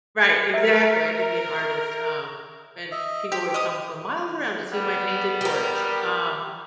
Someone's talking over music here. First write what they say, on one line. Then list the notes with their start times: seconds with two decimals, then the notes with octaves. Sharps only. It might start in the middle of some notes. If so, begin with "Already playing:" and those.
Right, exactly, I could be an artist, um, and people would come from miles around to see my painted porch, um,
0.54 A#4 E5
2.91 D#5 E5
3.32 G4 C5 G5
3.54 D#5 D#6
4.72 G3 B3
5.41 G4 A#4